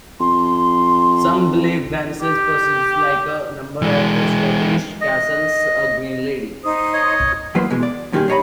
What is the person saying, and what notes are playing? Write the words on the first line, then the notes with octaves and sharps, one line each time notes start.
Some believe Wemyss possesses, like a number of Scottish castles, a "Green Lady".
F2 C6
G4
E3 G#3
D#5
D#4 C5 D#6
C#5 D#5
E3 F#3 A#3 E4 B4 C5
B2 E3 G#3
D5
F#2 A#2 D#3 G3 G4 G#4
D4 G4 C#5 D#5 A#5 B5